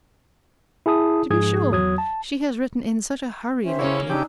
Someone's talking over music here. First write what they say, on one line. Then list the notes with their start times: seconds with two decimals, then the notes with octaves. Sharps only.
To be sure, she has written in such a hurry lately.
0.86 E4 G#4 A5 D#6
1.30 G#2 F3 G#4 D#6 G#6
1.71 E2 F#3 D#6 G#6
1.98 A5
3.65 C#4 G4 C5 E5
3.79 C#3 A#3 C#4 E4 C#5
4.10 C#3 D4 D#4 G4 G#5 D6 E6